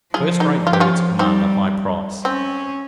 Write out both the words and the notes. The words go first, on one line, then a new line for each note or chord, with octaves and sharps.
First-rate birds command a high price.
F3 F4 G#4
D#4 G4
F3 F4
G4
C#4 F4
G3 C4 D#4
C4 C#4